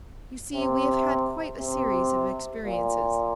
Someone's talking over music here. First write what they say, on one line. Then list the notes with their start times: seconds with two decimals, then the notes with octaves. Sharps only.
"You see we have had quite a series of experiences."
0.54 C3
1.59 C3
2.65 A#2